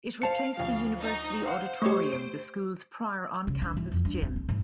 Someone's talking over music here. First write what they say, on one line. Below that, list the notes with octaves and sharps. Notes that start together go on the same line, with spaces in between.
It replaced the University Auditorium, the school's prior on-campus gym.
C5 F5 A5 C#7
D2 F3
D#4
C5 F5 F#5
A3 G4 C#5 D#5 C#6
D7
C#3
D3
E3
F2
D4
C4
A1
G#2